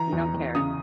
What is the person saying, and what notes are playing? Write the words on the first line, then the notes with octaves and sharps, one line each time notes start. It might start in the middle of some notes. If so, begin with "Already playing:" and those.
You don't care.
Already playing: E3 A#5
E2
E2
C#3 D#6